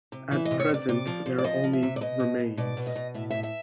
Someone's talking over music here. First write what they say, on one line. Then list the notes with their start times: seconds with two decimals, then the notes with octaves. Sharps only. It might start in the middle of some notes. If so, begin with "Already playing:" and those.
At present, there are only remains.
0.12 C3
0.31 E3 E5
0.45 D#5
0.51 C3
0.59 C#5
0.69 C3 D5
0.88 C3 D5
1.07 F3
1.26 F3
1.38 D5
1.44 F3 D#5
1.64 F3
1.73 E5
1.83 C3
1.96 D5
2.01 B2 D#5
2.20 B2
2.39 B2
2.57 B2 D5
2.77 B2
2.87 D#5
2.96 B2
3.14 A2 E5
3.30 A2 E5
3.43 E5